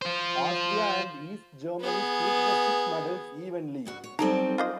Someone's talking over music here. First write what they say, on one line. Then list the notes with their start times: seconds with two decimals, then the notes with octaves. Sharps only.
Austria and East Germany split the six medals evenly.
0.02 F4 C5
1.80 B3 G#4
3.85 D2 G2 F#4
4.04 C#5
4.19 F#3 G3 C4 D#4 A4 A#5
4.58 F4 C5 D#5